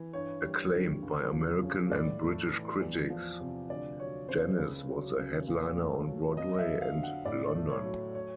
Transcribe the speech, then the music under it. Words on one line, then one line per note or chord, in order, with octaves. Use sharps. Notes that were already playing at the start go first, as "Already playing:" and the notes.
Acclaimed by American and British critics, Janis was a headliner on Broadway and London.
Already playing: E3
G2 C#5
G3
D3
C#2
F3
C#3
A2 D5
A3
E3
E2
F3
C3
D2 D5
F#3 C#5
C#3 C5
C#2
F#3
C#3
A#2
A3
F#3
F2 D#5
D#5
E5
F#3
F5
D3
F#5
A2 D5
D5
A3
C#5
F#3
C#5